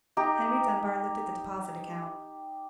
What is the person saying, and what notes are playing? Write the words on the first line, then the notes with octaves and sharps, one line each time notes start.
Henry Dunbar looked at the deposit account.
D#4 G4 A#5